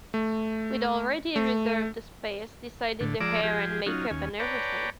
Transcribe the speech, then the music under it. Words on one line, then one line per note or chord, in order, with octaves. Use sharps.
We'd already reserved the space, decided the hair and makeup and everything.
A3
A3
A2 D3
F3 G#3 D5 A#5 D6 E6
F3 G4 G#4
F#3 C#4 D#4 F4
D#2 C#4 G#5
B4 C#5 D5 G5 A5 A#5